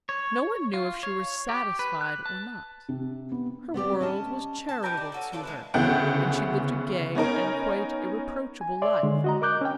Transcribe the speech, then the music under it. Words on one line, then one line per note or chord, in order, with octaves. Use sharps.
No one knew if she were satisfied or not; her world was charitable to her and she lived a gay and quite irreproachable life.
C#5
F4
C#5
G4
B4
F#6
A5
C3
B3
B3 C4 G4 D5
C#4 D#5 A5
A5
D#4 G4 A#4 B4
D4
C#4 F#4 A4
D4 F4 A4 A#4
G#3 E4 B4
D2 C#3 E3 B3 F#5 G5
B3 C#4 D#4 A#4
G#5
C#5 D5 E5 C6
D3 G#3
F#4 D#5 A#5
A#4 D#5 D6 F#6 G6
C#4 G5